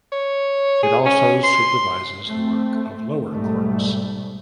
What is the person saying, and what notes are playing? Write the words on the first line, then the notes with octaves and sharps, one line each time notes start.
It also supervises the work of lower courts.
C#5
G#4
C#4
C6
A3 C4
B1 G#2 G3 A3